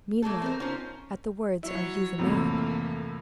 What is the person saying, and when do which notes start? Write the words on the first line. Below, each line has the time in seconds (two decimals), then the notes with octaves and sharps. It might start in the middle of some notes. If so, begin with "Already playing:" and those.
Meanwhile, at the words, Are you the man?
0.22 A3 A#3 G#4 A4
0.42 C4 A#4 C5
0.60 C#4 D#4 F4 C5
1.63 F#3 E4 C#5
2.18 C2 F2 A2 E3 A#3